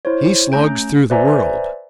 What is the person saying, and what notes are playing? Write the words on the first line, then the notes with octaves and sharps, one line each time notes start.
He slogs through the world.
E4 C5 C#5
A3 C#4 A#5 G6 D7
B4 C5 D5 E5 G#5 A#5